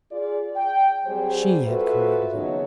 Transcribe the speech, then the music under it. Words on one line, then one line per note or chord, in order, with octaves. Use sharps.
She had created him.
F4 G#4 D5
G5
F#3 G3 C4 G#4 C5
F4 F#4 A4 B4 C5 E5
D#2 C#3 F#3 B3 D#4 C#5